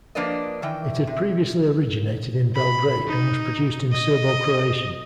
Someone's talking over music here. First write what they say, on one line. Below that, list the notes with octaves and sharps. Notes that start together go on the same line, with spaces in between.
It had previously originated in Belgrade and was produced in Serbo-Croatian.
F3 A#3 D4 B4 D5 D#5
D#3 E3 G5
C3
B5
D#4
D#5